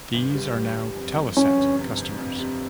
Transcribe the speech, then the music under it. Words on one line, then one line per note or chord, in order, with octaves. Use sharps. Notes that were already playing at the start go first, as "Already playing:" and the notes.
These are now Telesat customers.
G1
G3
G3
G1
F2
G3
F2 C#4
G1
C3
F2
F2
C3